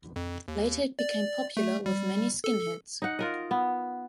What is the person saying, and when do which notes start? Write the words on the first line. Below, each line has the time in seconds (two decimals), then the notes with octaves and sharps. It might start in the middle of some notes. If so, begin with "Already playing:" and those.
Later it became popular with many skinheads.
0.16 F2
0.48 D#2
0.99 D5
1.57 A3
1.86 G3
2.44 A4
3.02 D#4 F#5
3.19 F4 A#4 D#5
3.51 B3